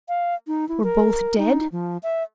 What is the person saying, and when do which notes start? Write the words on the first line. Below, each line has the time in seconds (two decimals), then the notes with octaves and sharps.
Were both dead?
0.09 F5
0.47 D#4
0.69 E4
0.83 A#4
1.38 D#4
1.72 F3
2.03 E5